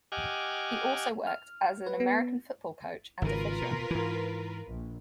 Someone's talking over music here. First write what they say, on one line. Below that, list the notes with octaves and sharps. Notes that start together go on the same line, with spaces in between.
He also worked as an American football coach and official.
G4 D#5 F#5 G#5 D6 F6
F6
B4
B3
G#1 C#3 F4 A#4 B4
B2
G#2 E3
A#1